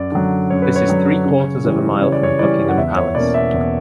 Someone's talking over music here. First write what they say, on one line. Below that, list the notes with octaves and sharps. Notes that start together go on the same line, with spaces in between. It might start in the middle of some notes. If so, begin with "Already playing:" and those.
This is three-quarters of a mile from Buckingham Palace.
Already playing: F#2 D5
D3 F#3
F#2 C#5
B4
C#5
D3 F#3
C#3
E3 G3 C#4
C#3 C#5
D5
C#5
E3 G3 C#4 D5
F#5
E2 E5
C#5
B2 A#3 C#4 D5
E5
E2